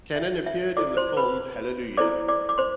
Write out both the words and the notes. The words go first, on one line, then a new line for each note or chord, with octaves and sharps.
Cannon appeared in the film Hallelujah!
E5
E5
E4 A4 C5 D5 D6
C5 C6
B4 B5
E4 A4 C5 D5 D6
D5 D6
D6
C5 C6